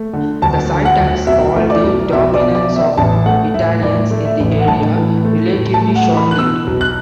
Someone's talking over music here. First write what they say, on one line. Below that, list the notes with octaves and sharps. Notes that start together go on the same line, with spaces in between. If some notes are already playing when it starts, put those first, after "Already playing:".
The site has called the dominance of Italians in the area, relatively short lived.
Already playing: A3
D3
D2 A5
D3
F#5
D2
B1 E5
A3
D5
B1
B1 E5
D5
B2
D5
B2
E5
A1 A5
A3 F#5
A2 E5
A2 D5
A3
E5
A1
F#5
A2 A5
E3
A3
A2
A5
A3
F#5
E3
B5
F#6
B2 E6
B1
F#6